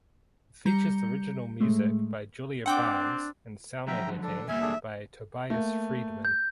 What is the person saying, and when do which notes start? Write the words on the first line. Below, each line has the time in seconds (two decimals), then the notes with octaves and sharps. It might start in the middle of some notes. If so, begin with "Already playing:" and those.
It features original music by Julia Barnes and sound editing by Tobias Friedman.
0.66 G3 A#5 G6 C#7
1.60 A2 G#3 A3
2.66 C4 D4 F#5 G5 D6
3.87 D3 F3 F#3 E5 G5 A#5
4.23 D4 A4
4.48 E2 G3 A#3 E5 G#5
4.61 A3 D4 G#4
5.50 A3 A#3
6.25 G6